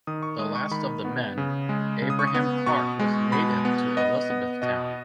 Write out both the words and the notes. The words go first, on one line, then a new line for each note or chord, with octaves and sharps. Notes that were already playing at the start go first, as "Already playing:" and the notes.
The last of the men, Abraham Clark, was native to Elizabethtown.
D#3 D#6
C#6
G#3 D#6
C#6
D#3 B5
B3
C#3
G#3
C#3
D#6
C#6
D#6
B3
B2 C#6
G#3
B2 B5
B3
B3 D#5
B3
B2 D#5